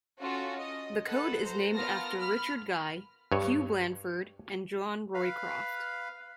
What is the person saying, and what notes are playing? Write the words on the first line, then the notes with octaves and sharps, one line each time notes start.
The code is named after Richard Guy, Hugh Blandford and John Roycroft.
C#4 F4 F#4 A4
D#5
A4 B4 F#5
C5 A#5
B3 F4 A#4 A5 F6 A#6
B5 F6
G2 C#5
B4 F5